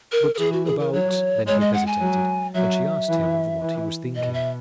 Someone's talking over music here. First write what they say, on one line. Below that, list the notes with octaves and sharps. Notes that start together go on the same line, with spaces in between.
"But about--." Then he hesitated, and she asked him of what he was thinking.
A#4
A#4
E3 G#4
F#4
G#4
A#4
F#3 C#5
G#3 C#5
D#5
F#5
G#5
F#3
F#3 E5
E3
E3
B2 D#5
E5